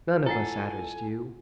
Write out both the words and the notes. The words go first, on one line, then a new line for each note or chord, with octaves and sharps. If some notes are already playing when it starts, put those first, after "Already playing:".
None of us Adders do.
E4 F4 A4 F#5 G#5